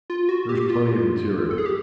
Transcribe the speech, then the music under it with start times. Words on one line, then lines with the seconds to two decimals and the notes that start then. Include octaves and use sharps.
There is plenty of material.
0.10 F4
0.29 F#4
0.49 G4
0.70 F4
1.51 A4
1.58 G#4
1.66 G4